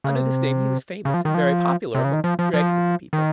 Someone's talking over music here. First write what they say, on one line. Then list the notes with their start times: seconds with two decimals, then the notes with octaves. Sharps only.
Under this name he was famous and very popular amongst the dregs of the people.
0.04 C#3
0.15 C3
1.05 C#3
1.14 F3
1.25 D#3
1.34 F3
1.95 C3
2.04 C#3
2.13 D#3
2.24 F3
2.39 F3
2.54 F3
3.13 D#3